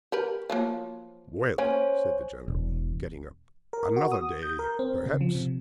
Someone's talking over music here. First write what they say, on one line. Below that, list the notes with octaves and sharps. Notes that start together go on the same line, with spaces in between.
"Ah, well," said the General, getting up, "another day, perhaps."
G4 A#4 B4
F3 F#3 A#3
A#3 C#4 C5 C#5 G#5
E1
A#4
F#4
D#6
G6
A#4
C4
C#3
F3
C3